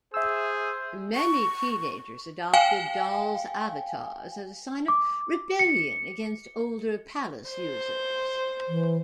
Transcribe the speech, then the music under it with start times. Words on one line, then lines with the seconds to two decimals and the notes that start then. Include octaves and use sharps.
Many teenagers adopted dollz avatars as a sign of rebellion against older Palace users.
0.14 G#4 C5 E5 E6
1.15 C#6
2.54 F5 G5 G#5
4.88 D6
5.59 C#7
7.49 C5
8.68 E3